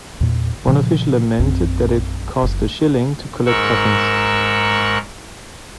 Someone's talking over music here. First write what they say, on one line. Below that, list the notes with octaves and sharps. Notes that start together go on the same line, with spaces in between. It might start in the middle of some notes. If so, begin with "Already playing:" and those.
One official lamented that "it cost a shilling to collect tuppence".
E2 A#2
A#2 C#3 F3
A#1 F#2 C4
F#1
G#2 A#4 C#6 E6 F#6